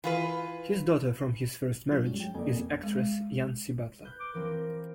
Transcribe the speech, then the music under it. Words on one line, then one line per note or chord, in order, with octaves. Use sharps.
His daughter from his first marriage is actress Yancy Butler.
E3 F4 B4
F#3 D4 F4
G2 G3 G#3 C#4
F#3 G5
F2 A#3 D5 G#5
G#6
G#3
B4 F#6 G6
D6
E3 F3 C4 A#4